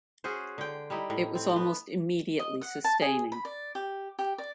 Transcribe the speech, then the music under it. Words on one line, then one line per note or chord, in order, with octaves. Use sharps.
It was almost immediately sustaining.
C#4 F#4 G#4 C5
D3 G5
G3 D#4 E4
A2
C4
B3
D#5
F#5
A5
G#4
B5
D5
G4
G4
D5